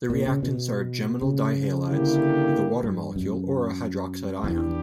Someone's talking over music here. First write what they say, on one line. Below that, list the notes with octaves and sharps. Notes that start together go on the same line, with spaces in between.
The reactants are geminal dihalides with a water molecule or a hydroxide ion.
A#2
C#3
B2
C#3
D3 A#3 E4 G4
G2
F#2
E2 E3 B3 D4 G4